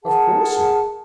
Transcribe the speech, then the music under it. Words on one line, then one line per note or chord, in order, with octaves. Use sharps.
'Of course not.
G#4 A#4 F#5 A5